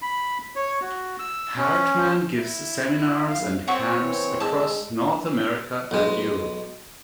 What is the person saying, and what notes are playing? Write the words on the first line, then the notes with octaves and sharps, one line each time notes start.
Hartman gives seminars and camps across North America and Europe.
B5
C#5
F#4
E6
C#4
E4
F#2 F5
C4 C#5 F#5 C#6 E6
E3 C4
G#3 A5 E6
B1 G#3